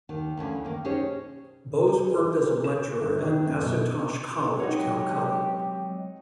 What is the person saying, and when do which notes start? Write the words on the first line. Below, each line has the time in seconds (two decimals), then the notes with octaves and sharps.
Bose worked as a lecturer at Asutosh College, Calcutta.
0.09 D#2 D#3
0.37 D2 C#3 E3
0.65 D#3 A#3
0.85 C#4 D#4 G4 G#4 C5 C#5
2.17 E3
2.64 E7
3.01 G1
3.22 D#3
3.47 F#2
3.62 B2
4.60 F#3 G#3 C4 D#4 F#4 G4 C#5